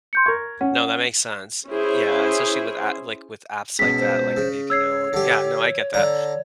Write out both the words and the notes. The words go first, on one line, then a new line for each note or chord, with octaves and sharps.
No, that makes sense, uh, yeah, especially with a like, with apps like that, like, Indeed, you know? Yeah, no, I get that.
C6 G6 C#7
A#4 C#6 G#6
C#4 F#5
C#4 E4 G#4 C5
C#2 B2 B6
C5
C#3
C#5 E6 G#6 C7
D3 G4
D3 D5 A#5